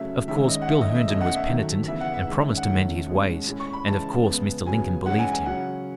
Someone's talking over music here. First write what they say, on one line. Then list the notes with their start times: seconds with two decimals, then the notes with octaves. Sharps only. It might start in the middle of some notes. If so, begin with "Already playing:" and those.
Of course, Bill Herndon was penitent and promised to mend his ways, and, of course, Mr. Lincoln believed him.
Already playing: C#3 F#3 A3 C#4 E5
0.28 D#3 G#3 C#4 E5
0.49 D#5
0.61 F#5
0.68 D#3 A3 C#4 E5
0.81 D#5
0.95 E5
1.08 B2 A3 C#4 D#5
1.21 F#5
1.35 E5
1.47 D#3 F#3 A3
1.87 C#3 E3 B3 E5
2.00 F#5
2.14 E5
2.27 D#3 G#3 C#4 E5
2.57 F#5
2.67 D#3 A3 C#4
3.07 B2 G#3 C#4
3.47 A2 G#3 C#4
3.60 C#6
3.73 B5
3.87 C#3 E3 G#3 C#4 A5
4.26 C#3 G#3 B3
4.66 C#3 F#3 B3 G#5
5.06 E3 G#3 C#4 F#5
5.19 G#5
5.32 G#5
5.46 C#3 F#3 C#4 F#5